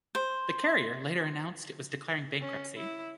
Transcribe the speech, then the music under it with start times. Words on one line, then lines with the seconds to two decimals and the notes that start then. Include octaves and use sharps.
The carrier later announced it was declaring bankruptcy.
0.15 C5
2.41 C#4
2.77 E4